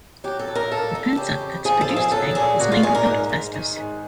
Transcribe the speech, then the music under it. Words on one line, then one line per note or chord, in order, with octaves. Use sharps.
The transite that is produced today is made without asbestos.
F#3 G4
A4
F#3
A#4
A#2 A4
A#2 A4
C#3 G4
F2
F3 G#4
A4
F3
G#4
F#3 A4
A#2 G#4
A#2 F#4
F4
A#2 G#4
A#4
G#2
G#2
D#3
G#2